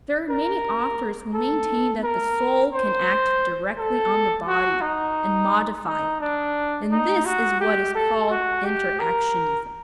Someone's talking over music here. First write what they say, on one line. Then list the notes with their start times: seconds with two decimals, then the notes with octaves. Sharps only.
There are many authors who maintain that the soul can act directly on the body and modify it, and this is what is called inter-actionism.
0.30 A#4
1.34 A4
2.04 A#4
2.73 C5
3.78 A4
4.47 F#4
4.82 D#4
5.87 D#4
6.21 D4
6.91 D#4
7.26 F#4
7.60 G4
7.95 A4
8.30 F#4
8.65 G4
9.00 A#4